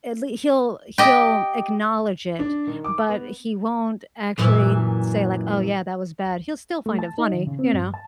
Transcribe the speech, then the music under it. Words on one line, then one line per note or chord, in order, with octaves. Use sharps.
at lea he'll he'll acknowledge it, but he won't actually say, like, "Oh, yeah, that was bad." He'll still find it funny, you know?
G4 D#5
D4
D#3
D6
B3
F#2 A#2 E3
A3
A5
D#4
D#3
C#3
C4
G2
A5